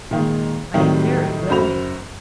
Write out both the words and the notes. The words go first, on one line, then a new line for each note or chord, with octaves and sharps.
"I am very willing."
A#2 D#3 G#3
A2 C3 D#3 F#3 G3
F#2 F#4 C5 B5 F7